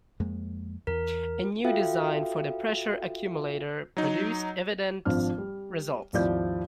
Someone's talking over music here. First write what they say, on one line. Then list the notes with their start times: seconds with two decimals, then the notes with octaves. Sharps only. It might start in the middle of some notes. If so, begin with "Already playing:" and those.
A new design for the pressure accumulator produced evident results.
0.20 F2 G#3 A#3
0.87 E2 E3 A#4
1.64 F4 F#4 A4 E5 F5 G5
3.97 F#3 D#4
5.05 G#1 F3 D4 F6
5.38 G3
6.13 G#1 D#2 F3 E4 D5 G6